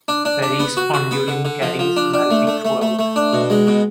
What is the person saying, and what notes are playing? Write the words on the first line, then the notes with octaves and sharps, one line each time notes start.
Perrey's Ondioline carries the melody throughout.
D4
D4
D4
B3
F#4
F#4
B3
D3
D3
F3
F3
D4
D4
A3
A3
A3
A3
A3
D4
B2
G#3
B2